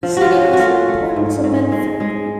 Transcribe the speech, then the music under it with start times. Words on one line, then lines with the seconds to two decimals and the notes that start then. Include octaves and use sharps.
The city has an important cement factory.
0.03 F3
0.17 F4 F#4
0.31 C#4
0.41 F#4
0.53 F#4
0.59 A3 F4
0.88 A3
1.16 G#2
1.44 G#2
1.72 G#3
2.00 G#3